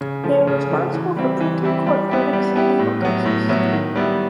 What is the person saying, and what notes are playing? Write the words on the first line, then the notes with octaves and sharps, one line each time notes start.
They are responsible for printing court verdicts and legal cases.
C#3
F3 A3
C#3
F3 A3
E3
G3 C4 E4
E3
G3 C4 E4
G3
B3 E4 G4
G3
B3 E4 G4
A2
F#3 B3 E4
A2
F#3 B3 E4
D#3
G3 B3 E4